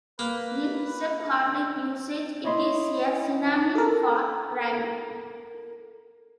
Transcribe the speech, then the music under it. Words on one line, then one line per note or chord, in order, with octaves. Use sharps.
In Sephardic usage it is a synonym for "rabbi".
A#3 B4
E4 C#5 D#5 B5 C6
A4 A#4